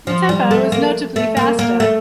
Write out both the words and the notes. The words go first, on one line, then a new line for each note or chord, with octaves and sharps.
The tempo is notably faster.
F3
G3
A3
A#3
A3
A#3
A#3
A3